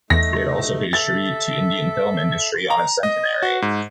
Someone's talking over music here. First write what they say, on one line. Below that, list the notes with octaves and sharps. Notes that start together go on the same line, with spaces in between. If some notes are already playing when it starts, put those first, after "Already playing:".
It also pays tribute to Indian film industry on its centenary.
E2 A3 D#4 A#6
A4 E5 A6
A#5
D#5
F#4
G#2